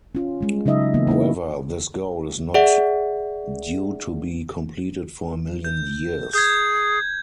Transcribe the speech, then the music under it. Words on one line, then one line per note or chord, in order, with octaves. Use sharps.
However, this goal is not due to be completed for a million years.
C#4 F4
G3 G#3
C#3 F#3 D#4 D#5 E5
C#3 E3 A#3 B3
A#3 D#4 E4
G#4 D5 E5 F#5
G6
G#4 G6 G#6